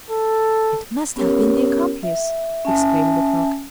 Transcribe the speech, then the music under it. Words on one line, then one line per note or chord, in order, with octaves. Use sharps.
"It must have been the accomplice!" exclaimed Lecoq.
A4
B3 C#4 G4 A#4 C#5
E5
C#4 E5 G#5 A5